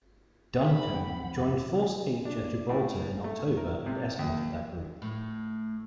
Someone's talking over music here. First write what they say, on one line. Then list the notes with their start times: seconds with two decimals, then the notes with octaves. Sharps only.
"Duncan" joined Force H at Gibraltar in October and escorted that group.
0.65 C5 D5 B5 F6
0.94 A3 F#5 G5
1.10 D#2 F3 C4 F#5
1.36 F2 G4
2.25 D4
2.69 A2
3.24 A3
3.57 A#4
3.86 C3
4.19 D#2
5.02 A2